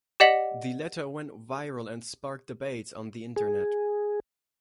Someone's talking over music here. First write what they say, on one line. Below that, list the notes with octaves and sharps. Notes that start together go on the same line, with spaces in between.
The letter went viral and sparked debates on the internet.
G4 D5 D#5 F#5 B6 F#7
G#4